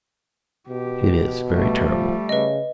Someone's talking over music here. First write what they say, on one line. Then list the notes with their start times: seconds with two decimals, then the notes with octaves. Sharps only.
It is very terrible....
0.69 B2 G4
1.51 G3 A3
1.88 F3
2.29 C#3 B4 D#5